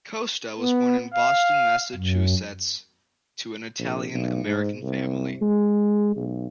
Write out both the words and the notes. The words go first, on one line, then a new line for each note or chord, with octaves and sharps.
Costa was born in Boston, Massachusetts to an Italian American family.
B3
F5
F#2
A#1
B1
G#2
C2
G#3
B1